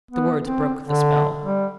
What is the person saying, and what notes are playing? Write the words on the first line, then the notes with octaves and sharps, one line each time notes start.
The words broke the spell.
B3
C4
D3
G3